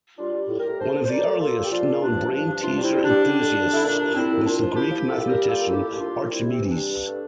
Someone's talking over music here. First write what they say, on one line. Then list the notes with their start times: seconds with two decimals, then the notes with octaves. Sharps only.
One of the earliest known brain teaser enthusiasts was the Greek mathematician Archimedes.
0.18 G3 D4 F4
0.33 G3
0.49 A2
0.58 G4 A#4
0.65 A2
0.79 A3 A4 C5
0.94 A#2
1.05 C5
1.10 A#2 A#4 D5
1.25 A3
1.40 A#2 F4 A4
1.56 A#2
1.64 G4
1.71 F3 D4 F4
1.86 A#2
2.02 G2 D4
2.17 F3
2.32 G2 D4
2.47 F3
2.62 C3 D4 F4
2.77 G3
2.83 C4 E4
2.94 G3
3.04 G3 D4
3.24 D3
3.39 F2
3.54 D3
3.70 D3 E4
3.85 A#2 D4
4.00 C2
4.15 A#2 C4 E4
4.31 C2
4.46 A#2 D4 F4
4.62 F3
4.76 A#2 E4 G4
4.91 F3
5.07 C2 F4 A4
5.22 G3
5.27 G4 A#4
5.37 G3
5.47 F4 A4
5.54 A#3
5.68 A3 E4 G4
5.84 A#2
5.98 C2 D4 F4
6.14 C2
6.29 G3 C4 E4
6.45 C3 C4
6.61 E3
6.70 D4
6.76 G3
6.90 G2
7.06 A3